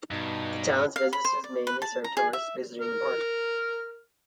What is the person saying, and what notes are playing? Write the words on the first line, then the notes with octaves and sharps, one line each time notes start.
The town's businesses mainly serve tourists visiting the park.
G2 B2 D#4
F5
B5
C5
D5
B4
A5
A#5
G#4
E5
A#4 F6